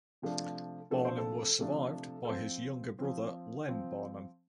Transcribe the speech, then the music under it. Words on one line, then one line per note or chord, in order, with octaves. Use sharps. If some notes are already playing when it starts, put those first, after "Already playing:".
Barnum was survived by his younger brother Len Barnum.
C3 F3 A3 D4
C3 F3 A3 D4 A4
C5
A4
C3 F3 A3 D4
A4
F3 C4 C5
F3 C4
F3 C4